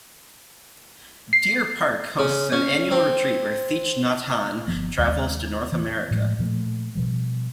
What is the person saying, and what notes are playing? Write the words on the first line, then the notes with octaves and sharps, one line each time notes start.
Deer Park hosts an annual retreat when Thich Nhat Hanh travels to North America.
C7
C#3
C#4
C4
G1 F3 B3
D#2 G#3
E3
A2 F3 G#3
A#2 F3 G3 A3
B2 F3 G3